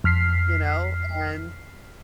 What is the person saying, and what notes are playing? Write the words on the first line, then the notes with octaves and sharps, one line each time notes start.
you know? And,
F2 F6 B6 C7